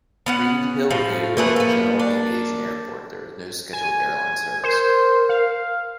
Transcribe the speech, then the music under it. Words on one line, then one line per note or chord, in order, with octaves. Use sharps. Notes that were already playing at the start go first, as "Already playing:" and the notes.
Reid-Hillview is a general aviation airport; there is no scheduled airline service.
B3 C#4 F#5
A2 F3
F3 A3 A#3 G#4 B4
F3 B3
D4
G#5
A#4 C5
F5